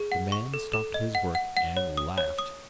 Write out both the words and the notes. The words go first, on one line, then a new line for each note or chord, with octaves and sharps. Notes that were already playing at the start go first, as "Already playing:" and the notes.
The man stopped his work and laughed.
Already playing: G#4
F#5
C#6
A4
A4
D#5
F#5
F#5
F#5
C#5
D#6
C#5
D#6